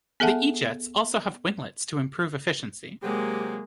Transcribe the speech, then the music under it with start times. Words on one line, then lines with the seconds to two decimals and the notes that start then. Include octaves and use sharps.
The E-jets also have winglets to improve efficiency.
0.20 B3 G#4 A4 E5 F#5 A5
3.03 C3 F#3 G#3 A#3 G4